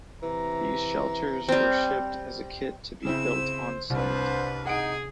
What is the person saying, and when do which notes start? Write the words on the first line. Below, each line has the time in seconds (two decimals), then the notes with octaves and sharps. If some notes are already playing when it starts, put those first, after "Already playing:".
These shelters were shipped as a kit to be built on site.
0.22 C3 E3 A#5
1.48 G3 C4
3.05 C#3 C4 E4 E6
3.33 C5
3.90 C2 C3 D4 B4 C5
4.67 D#4 G#4 F#5 D7